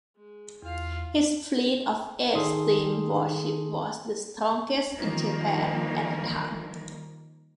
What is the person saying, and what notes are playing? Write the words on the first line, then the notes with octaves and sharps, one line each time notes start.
His fleet of eight steam warships was the strongest in Japan at the time.
G#3
E2 F4 F5
D#3 G#4 A4 C6 D#6
D#3 F3 G3 A#3 A#4